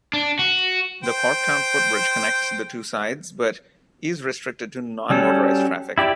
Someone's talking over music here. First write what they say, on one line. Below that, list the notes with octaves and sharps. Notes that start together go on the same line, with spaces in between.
The Corktown Footbridge connects the two sides, but is restricted to non-motorized traffic.
D4
F#4
C5 G5
F#3 G3 C#4 A4
E4 G4 D5